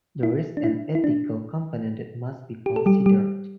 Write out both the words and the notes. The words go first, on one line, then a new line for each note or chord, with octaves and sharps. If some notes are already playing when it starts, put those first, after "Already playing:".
There is an ethical component that must be considered.
E4
D4
E4
E4
D4
G4
A4
G3 G4
G3 G4